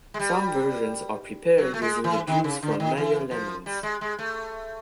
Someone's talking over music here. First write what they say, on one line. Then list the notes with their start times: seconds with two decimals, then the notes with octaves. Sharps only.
Some versions are prepared using the juice from Meyer lemons.
0.14 G#3
0.19 G3
1.58 F#3
1.74 A3
1.82 G#3
2.04 E3
2.27 D#3
2.44 C#3
2.63 D3
2.80 D#3
2.97 E3
3.31 F3
3.66 G3
3.83 G#3
4.01 G#3
4.19 A3